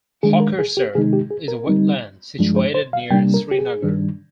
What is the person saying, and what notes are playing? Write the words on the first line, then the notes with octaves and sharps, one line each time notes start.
Hokersar is a wetland situated near Srinagar.
D#3 G#3 D4 G#4
A#4
G#4
G4
C3 D#3 G#3 D#4 G#4
G4
G#4
A#4
D3 G3 C4 D#4
G2 F3 G#3 D4
C5
C5
F5
C3 G3 A#3 D4 G5
A#4
G4
G#4
G2 D#3 G3 D4